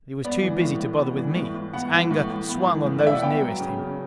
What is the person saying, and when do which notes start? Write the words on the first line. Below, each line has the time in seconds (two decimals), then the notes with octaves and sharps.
But he was too busy to bother with me; his anger swung on those nearest him.
0.25 B3 D5
0.42 E3
0.61 A2
0.79 A2
0.99 B3
1.16 E3
1.36 A2
1.54 A2
1.73 B3 F#5
1.92 E3
2.10 A2
2.29 A2
2.48 B3
2.66 E3
2.85 A2
2.99 D5
3.03 A2 E5
3.15 F#5
3.22 B3 G5
3.41 F#3
3.60 C#3
3.78 C#3